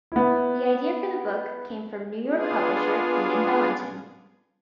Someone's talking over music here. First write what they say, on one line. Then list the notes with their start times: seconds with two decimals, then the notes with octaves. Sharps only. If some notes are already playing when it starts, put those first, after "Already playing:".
The idea for the book came from New York publisher Ian Ballantine.
0.12 B3 E4
2.28 B3 D4 F4 G#4